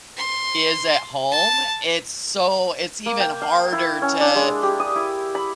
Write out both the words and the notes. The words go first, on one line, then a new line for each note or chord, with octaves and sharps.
is at home, it's so it's even harder to,
C6
A5
A#3
G5
F5
E4
C#4
D4
G#3
G4
D#6
E4
B5